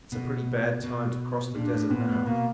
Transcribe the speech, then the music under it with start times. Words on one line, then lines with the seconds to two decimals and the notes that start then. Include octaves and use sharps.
"It's a pretty bad time to cross the desert now."
0.12 B2
0.84 B2
1.55 A#2 D4
1.73 A2
1.91 A#2 B3
2.09 A2
2.27 B2 A#3